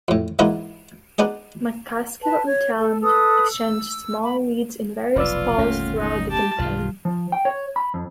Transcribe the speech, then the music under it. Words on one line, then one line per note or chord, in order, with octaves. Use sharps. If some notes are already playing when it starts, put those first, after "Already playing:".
McCaskill and Talent exchanged small leads in various polls throughout the campaign.
F2 A2
G#2 E3 A#3 B3 D#4 F4
B3 D4 D#4 G#4
B4 A5
C#5
A4
A4 B4 D#6
E6
B5
F1 B1 F4 B4 D5 E6
G1 D#2 A#2 A3 C#4
D#4
G4 A5
B1 G2 D#3 F4
F3
G5
C#5
B5
F2